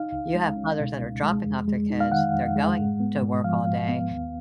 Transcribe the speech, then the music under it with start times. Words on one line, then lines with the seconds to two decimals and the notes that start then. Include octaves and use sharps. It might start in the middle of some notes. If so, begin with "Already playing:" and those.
You have mothers that are dropping off their kids, they're going to work all day,
Already playing: D#4 F5
0.12 C#2
0.35 G#3
0.56 C#4
0.79 B2
1.01 C#2
1.23 G#3
1.46 F2
1.68 G#3
1.90 D#4
2.00 F5
2.11 D#3 F#5
2.34 F2
2.56 G#3
2.78 G#2
3.00 B3
3.22 G#2
3.44 F3 F5
3.66 G#2
3.89 B3
4.11 D#2